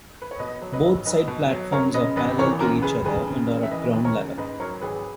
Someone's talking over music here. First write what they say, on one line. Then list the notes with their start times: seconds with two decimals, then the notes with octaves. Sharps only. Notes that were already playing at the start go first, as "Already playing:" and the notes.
Both side platforms are parallel to each other and are at ground level.
0.22 B4
0.31 C#5
0.39 B2 B4 D#5
0.62 F#3
0.73 B4 D#5
0.84 B1
1.05 B1 B4 D#5
1.28 B2
1.50 F#3
1.72 F#2 A#4 C#5
1.94 C#3 B4 D#5
2.16 G#1 B4 D#5
2.38 E3 A#4 C#5
2.60 F#2 F#4 A#4
2.82 C#3 G#4 B4
3.05 D#2 G#4 B4
3.28 C#3
3.49 E1
3.63 E5
3.71 E3 B4 D#5
3.93 D#2
4.04 A#4 C#5
4.15 C#3
4.37 G#2 B4 D#5
4.60 F#3 A#4 C#5
4.81 G#1 G#4 B4